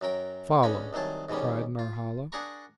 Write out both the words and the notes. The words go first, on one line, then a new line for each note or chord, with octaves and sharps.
"Follow," cried Norhala.
F#2 F#3 A#4 G5
C#2 D3 C#4 C#5 D#5 B5
C2 D#3 F#3 G#4 A5
G#2 B2 D#3 G3 C#4
F4
D4 G#4 A#4 F#5 A#5 C#6